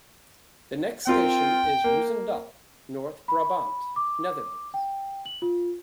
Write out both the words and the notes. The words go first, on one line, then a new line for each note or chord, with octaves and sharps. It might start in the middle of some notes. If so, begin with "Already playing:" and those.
The next station is Roosendaal, North Brabant, Netherlands.
C4 F4 A#4 G5
A#3
B5
D6
G5
F#7
F4